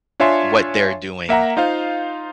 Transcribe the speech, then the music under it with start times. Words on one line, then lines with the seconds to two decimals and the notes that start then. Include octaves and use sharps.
what they're doing,
0.20 D4 F4 C#5 E5 G#5 C6
1.29 A#3 E5 F#5 A#5
1.57 D#4 F4 C5 F5